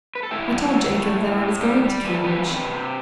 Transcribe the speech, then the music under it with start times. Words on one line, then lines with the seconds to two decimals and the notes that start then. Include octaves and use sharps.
I told Jacob that I was going to Cambridge.
0.15 B4
0.23 A4
0.31 A2 E4 G4
0.52 F#3
0.74 F#3
0.96 A3
1.18 A2
1.40 A2
1.61 G3
1.84 G3
2.05 E2 B4
2.14 A4
2.24 E2 G4 B4
2.49 C3
2.70 C3